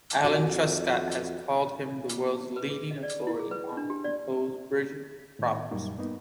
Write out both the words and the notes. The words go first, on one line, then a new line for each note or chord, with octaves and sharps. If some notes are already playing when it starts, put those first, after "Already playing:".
Alan Truscott has called him "the world's leading authority" on composed bridge problems.
F2 F#4 D5
B4
G#4
D#5
D5
E4
G#4
B4
G5
D4
G4
D5
A2 D#3
F#2 A#2 G3 A#3 D#4
G2 A#3 B3 D#4